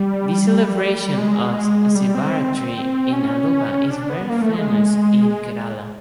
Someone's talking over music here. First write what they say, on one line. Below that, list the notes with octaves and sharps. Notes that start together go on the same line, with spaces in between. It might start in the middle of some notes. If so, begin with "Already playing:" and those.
The celebration of Sivarathri in Aluva is very famous in Kerala.
Already playing: G3
G#3
G3
C4
C#4
D4
B3
A#3
A3
G#3